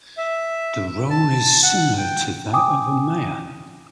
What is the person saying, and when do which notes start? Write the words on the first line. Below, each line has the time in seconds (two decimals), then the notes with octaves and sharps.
The role is similar to that of a mayor.
0.18 E5
1.10 A5
1.63 F#5
1.98 G5
2.53 G5 G#5 D6 D#6